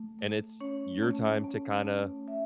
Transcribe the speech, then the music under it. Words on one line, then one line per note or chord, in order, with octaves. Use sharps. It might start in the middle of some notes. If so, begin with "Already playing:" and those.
and it's your time to kinda
Already playing: A3
A3
C#4 C#5
A3
A3
A3
A3 E5